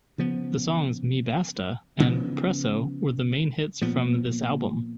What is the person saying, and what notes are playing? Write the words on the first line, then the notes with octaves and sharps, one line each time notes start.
The songs "Me basta" and "Preso" were the main hits from this album.
C#3 F3 B3
C#3 F3 B3
A#2 F3 B3